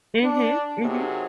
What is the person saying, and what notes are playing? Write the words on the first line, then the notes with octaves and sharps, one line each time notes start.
Mhm, mhm.
D4
C3 D#3 F#3 G4 G#4